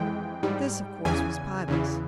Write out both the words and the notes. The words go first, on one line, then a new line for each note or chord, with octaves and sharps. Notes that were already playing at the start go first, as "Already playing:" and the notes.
This, of course, was Pybus.
Already playing: F2 E3 G#3 G5
G#2 G3
E2 C#3 E3 G#5
E2 C#3 E3